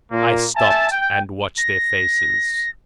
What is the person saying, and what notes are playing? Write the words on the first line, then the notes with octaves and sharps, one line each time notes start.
I stopped and watched their faces.
A#2 A#3
E5 G#5 A5
G5
A#6